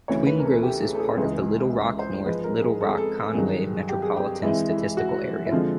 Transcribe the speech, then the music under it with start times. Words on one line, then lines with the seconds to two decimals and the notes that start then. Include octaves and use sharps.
Twin Groves is part of the Little Rock-North Little Rock-Conway Metropolitan Statistical Area.
0.08 D2 C#3 E3 C#5
0.27 B4
0.39 A#4
0.45 A4
0.63 G4
0.81 G#4
0.95 A4
0.99 G#4
1.17 C#2 C#3 E3 G#3
1.99 C5
2.26 G#2 F3 G#3 B4
2.44 A#4
2.62 G#4
2.81 A4
2.89 G#4
2.98 A4
3.34 G2 D#3 F#3 G#4
3.89 G4
4.02 G#4
4.17 G4
4.42 F2 C3 E3 G#3 E4
4.70 E4
4.97 F#4
5.46 E4
5.51 F2 D3 F3 G#3 F4